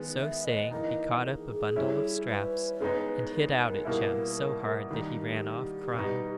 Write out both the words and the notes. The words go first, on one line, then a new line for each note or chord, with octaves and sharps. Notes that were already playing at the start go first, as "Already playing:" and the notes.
So saying, he caught up a bundle of straps, and hit out at Jem so hard that he ran off crying.
Already playing: D#3 G#3 B3
E5
D#5
E3 A#3 D#4 D#5
G#4
G3 C#4 E4
B4
C#3 G#3 B3 D#4
A#4
B2 G3 A#3 E4
D#3 G3 A#3 D#4 G4
B2 G3 B3 D#4